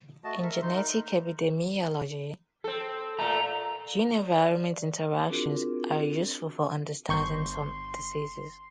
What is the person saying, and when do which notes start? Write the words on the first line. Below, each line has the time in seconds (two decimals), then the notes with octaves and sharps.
In genetic epidemiology, gene-environment interactions are useful for understanding some diseases.
0.24 A3 F#4 D#5 A5
0.43 A4 A#4 E5
0.62 D#4 C6
0.75 D#4 A#4
2.64 C4 A4
3.19 A#2 A3 A#5
4.16 D5
5.29 C4 D4 F4 F#4 G#4 A#4
7.09 G1 C6 C#6 G6